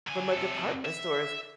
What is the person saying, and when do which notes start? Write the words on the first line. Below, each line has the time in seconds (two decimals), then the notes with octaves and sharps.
from a department stores,
0.07 D3 G#5
0.32 C3 A4
0.85 E5